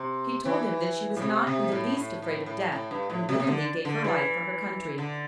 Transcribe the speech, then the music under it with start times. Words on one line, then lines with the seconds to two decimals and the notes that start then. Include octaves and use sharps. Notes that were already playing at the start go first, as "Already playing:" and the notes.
She told him that she was not in the least afraid of death and willingly gave her life for her country.
Already playing: C3
0.45 E3
1.16 A2
1.22 C3
1.47 C3
1.72 A2
1.97 A2
2.22 A2
2.46 A2
2.72 A2
2.91 G2
3.10 A2
3.29 C3
3.40 C3
3.47 D3
3.85 D3
4.04 E3
4.98 D3